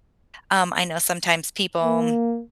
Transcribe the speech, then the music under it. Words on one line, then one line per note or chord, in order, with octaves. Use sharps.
um, I know sometimes people,
A#3